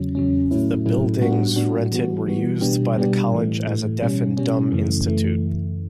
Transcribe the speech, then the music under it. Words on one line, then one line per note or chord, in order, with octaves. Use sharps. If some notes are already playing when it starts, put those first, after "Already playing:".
The buildings rented were used by the College as a deaf and dumb institute.
Already playing: E2 C#3 F#3 C#4
E2 C#3 F#3 C#4
A2 F#3 A3 C#4 E4
A2 F#3 A3 C#4 E4
A2 G3 B3 D4 F#4
A2 G3 B3 D4 F#4
E3 G3 B3 F#4
E3 G3 B3 F#4
B2 G3 B3 D4 G4
B2 G3 B3 D4 G4
A2 E3 A3
A2 E3 A3
B2 G3 C#4
B2 G3 C#4
F#2 C#3 E3 A3
E3 A3